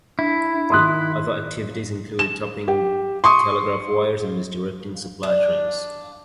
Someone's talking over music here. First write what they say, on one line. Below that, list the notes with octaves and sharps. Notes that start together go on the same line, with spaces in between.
Other activities included tapping telegraph wires and misdirecting supply trains.
D4 E4
D#3 C6 D#6 F#6
E7
G4
C6 C#6 D#6
D4